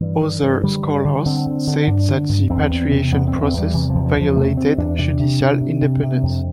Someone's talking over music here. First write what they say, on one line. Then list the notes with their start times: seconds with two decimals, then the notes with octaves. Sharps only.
Other scholars said that the patriation process violated judicial independence.
0.01 G2 E3
0.22 G2
0.42 G2
0.63 D3 G3
0.84 G2
1.05 D3
1.26 D3 C4
1.46 D3
1.67 D3
1.87 G2 D4
2.08 D3
2.29 G2
2.50 E2 C4
2.71 E2
2.91 C3
3.12 E2 B3
3.27 C4
3.33 E2
3.43 C4
3.53 E2
3.58 G3
3.74 C3 E3
3.90 F3
3.95 E2
4.05 F3
4.16 E2 F3
4.36 C3 A3
4.57 C3 C4
4.78 E2 D4
4.99 C3 D4
5.19 C3
5.40 C3
5.61 C3
5.82 C3
6.02 C3
6.23 F2